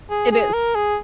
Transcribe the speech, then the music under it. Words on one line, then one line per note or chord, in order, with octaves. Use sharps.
It is.
G#4
G#4
A#4
G#4